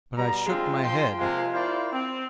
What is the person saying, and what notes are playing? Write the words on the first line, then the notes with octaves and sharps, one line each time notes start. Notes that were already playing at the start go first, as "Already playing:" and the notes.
But I shook my head.
B2 G3 A#5
F3 G#3 C4 D4 F4
F3 G5 C6
C3 F3 G#3 A#3 F5
E4 F4 A#4 C5 D5
C4